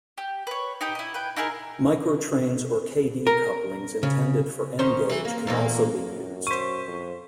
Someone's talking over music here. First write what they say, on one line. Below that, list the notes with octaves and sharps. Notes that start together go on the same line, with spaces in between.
MicroTrains or Kadee couplings intended for N gauge can also been used.
G4
B4 C#5
D#4 G4 G5
E4 D#5
B4 G5
D#4 E4 G#4 A#4
A#4
C#3
D#3 C#4 C5
E3
A#3
E2 A#2 A#3
F#2
C5 C#6 B6 D#7
F2